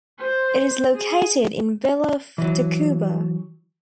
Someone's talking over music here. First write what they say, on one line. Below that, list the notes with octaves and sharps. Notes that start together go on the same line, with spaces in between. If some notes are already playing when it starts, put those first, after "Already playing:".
It is located in Villa of Tacuba.
C5
G#4
E3 F#3